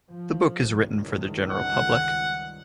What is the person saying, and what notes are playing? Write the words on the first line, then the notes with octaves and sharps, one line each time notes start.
The book is written for the general public.
F3
C#2 G2 D#3
F#5